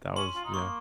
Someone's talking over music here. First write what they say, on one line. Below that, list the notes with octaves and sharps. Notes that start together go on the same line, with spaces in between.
That was yeah.
C#4 C6
F4
D#4
A#3 C#6